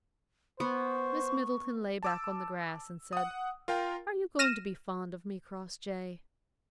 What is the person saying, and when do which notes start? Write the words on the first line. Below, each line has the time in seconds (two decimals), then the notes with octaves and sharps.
Miss Middleton lay back on the grass and said: "Are you going to be fond of me, Crossjay?"
0.60 B3 C5 C#6
2.03 A5 D6 E6
3.13 F#5 D#6
3.68 F4 A#4 F5 G5
4.39 F6 A#6 D#7 E7